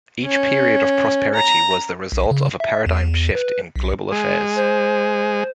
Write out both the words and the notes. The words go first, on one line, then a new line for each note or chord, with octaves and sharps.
Each period of prosperity was the result of a paradigm shift in global affairs.
C#4
A#5
B1
C#3
E5
E2
B4
B1
G#3
C5